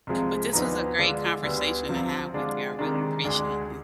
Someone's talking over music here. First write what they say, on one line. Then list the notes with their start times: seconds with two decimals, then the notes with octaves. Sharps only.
But this was a great conversation to have with you. I really appreciate you
0.07 C2 C3 F3 G#3
0.53 D2 D3 F3 B3 D#4
0.98 D3 G#3 D4 F4
1.43 D2 D3 G3 B3
1.89 C2 C3 F3 C4
2.34 D3 G#3 D4 F4
2.79 C3 D#3 G#3 D4
3.24 D2 D3 G#3 D4